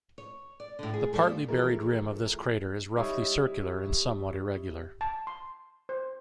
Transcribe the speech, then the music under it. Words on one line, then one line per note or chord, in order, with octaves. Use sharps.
The partly buried rim of this crater is roughly circular and somewhat irregular.
C#5
D5
A2 D3
G#4
F3 G3 A3 A4
E3 F3 A3 G#4 A#4
G3 D#4 E4 C#5
A5
C6
C5